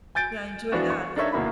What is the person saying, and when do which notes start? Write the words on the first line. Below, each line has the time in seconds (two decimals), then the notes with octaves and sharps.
Yeah, I enjoy that.
0.15 G#5 G6 A6 D7
0.72 E3 F3 B3 D4 F4 F#4
0.90 C#6
1.16 D4 D#4 A4 A#4 C#5 E5
1.33 D2 B2 A#3 E4 B5